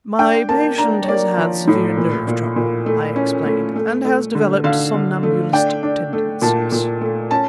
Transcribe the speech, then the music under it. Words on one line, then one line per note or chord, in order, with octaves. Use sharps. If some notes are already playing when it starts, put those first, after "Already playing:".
"My patient has had severe nerve trouble," I explained, "and has developed somnambulistic tendencies."
D4 G5
A#3 A5
D4 A#5
C#5
A#3 D5
F3
A2
A#2
A#2
A#2
A3
C#4
A3
A3
A3
D3
D3 F5
D3
A3
D4 G5
D4
A3
A#2 A5
A#2
A3
C#4 A5